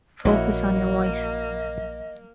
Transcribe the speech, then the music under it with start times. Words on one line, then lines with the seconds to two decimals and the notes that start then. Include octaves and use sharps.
Focus on your wife.
0.25 A#1 A#3 E4 F#4 C#5 D#5